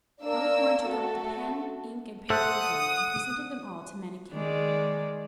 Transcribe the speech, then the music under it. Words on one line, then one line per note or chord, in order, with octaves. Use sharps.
Malicorne took up the pen, ink, and paper again, and presented them all to Manicamp.
A#3 D4 A#4 D5 E6
A3 F#4 A4
A4 C5 E5 F#5 D#6
D#3 G#3 D5